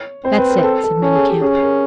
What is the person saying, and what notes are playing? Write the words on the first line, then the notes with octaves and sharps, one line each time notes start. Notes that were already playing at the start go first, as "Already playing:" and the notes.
"That's it," said Manicamp.
Already playing: C#5
C4 C5
B4
A#4
A4
A4
C#4 A4
G#4
G4
C#4 G#4
A#4